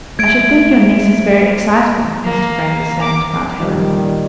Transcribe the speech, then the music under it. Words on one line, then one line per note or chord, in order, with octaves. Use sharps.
"I should think your niece is very excitable," Mr Grey was saying to aunt Helen.
A3 G#6 D7
A#3
D6
A#2 D#3 G3